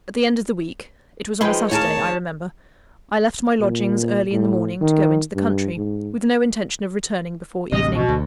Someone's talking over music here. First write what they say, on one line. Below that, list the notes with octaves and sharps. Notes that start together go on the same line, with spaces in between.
At the end of the week--it was on a Saturday, I remember--I left my lodgings early in the morning, to go into the country; with no intention of returning before evening.
F3 D#4 G#4 B4 G5 C6
D#2 A2 G#4 A#4 C#5 A5
A#2
A2
D#3
G2
G#2
A1 D2 C3 D#5
B2
D2